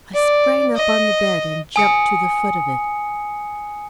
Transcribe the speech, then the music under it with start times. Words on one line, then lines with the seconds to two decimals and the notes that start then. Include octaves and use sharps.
I sprang up on the bed and jumped to the foot of it.
0.14 D5
0.76 D#5
1.76 G#5 D#6 C#7